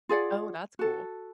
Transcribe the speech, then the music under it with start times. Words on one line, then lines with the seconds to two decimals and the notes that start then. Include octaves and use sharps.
Oh, that's cool.
0.09 F4 G#4 D5 F#5
0.79 F#4 A4